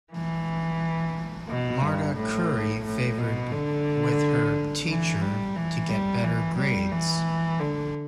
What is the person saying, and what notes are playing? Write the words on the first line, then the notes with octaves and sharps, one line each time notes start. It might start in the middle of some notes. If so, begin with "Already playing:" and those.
Marta curry favored with her teacher to get better grades.
E3
B2
G2
A2
A2
B2
D3
E3
G3
E3
G3
E3
G3
E3
D3